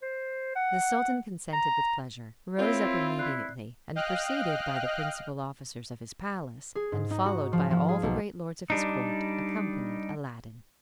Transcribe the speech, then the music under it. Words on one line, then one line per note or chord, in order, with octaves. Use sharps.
The sultan consented with pleasure, rose up immediately, and, preceded by the principal officers of his palace, and followed by all the great lords of his court, accompanied Aladdin.
C5
F#5
A#5
C4 E4 F4 A#4 C#5
E4 D5 F#6 C7
D#5 F5 G5 F6 F#6
G#4
G#2
D#4
F#4
F3
F3
G#4
B1
G3 D4 D#4